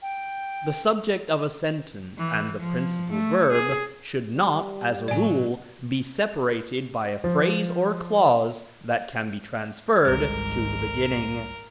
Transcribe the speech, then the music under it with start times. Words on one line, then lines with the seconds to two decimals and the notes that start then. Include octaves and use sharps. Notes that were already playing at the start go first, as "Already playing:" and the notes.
The subject of a sentence and the principal verb should not, as a rule, be separated by a phrase or clause that can be transferred to the beginning.
0.02 G5
2.18 E3
2.60 F3
3.11 A3
3.52 G#4
4.33 G3
5.08 A2 C#3 F#3 D5 G#5
7.24 F3
10.05 G#1 C#2 G#2 G3 A#4